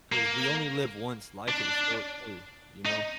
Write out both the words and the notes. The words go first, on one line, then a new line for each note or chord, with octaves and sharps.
'Cause we only live once. Life is short too. You know?
A#3
D4
D#4